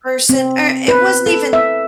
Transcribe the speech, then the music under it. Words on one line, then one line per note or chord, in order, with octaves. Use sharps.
person, or it wasn't even
C4
B4
A4
E5